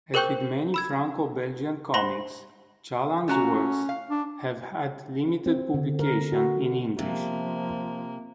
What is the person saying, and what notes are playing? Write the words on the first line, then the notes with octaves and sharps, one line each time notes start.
As with many Franco-Belgian comics, Chaland's works have had limited publication in English.
G#4 A#4 C5 G5 C#6 G6
B5 E6 G#6
C5 B5 C6 A#6
A3 C#4 F#4 A#5
F5
D4
C4
D3
A#4
F#4
C3 F3 A#3